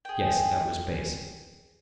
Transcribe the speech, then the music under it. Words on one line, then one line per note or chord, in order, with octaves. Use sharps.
Yes, that was base.
G#4 G5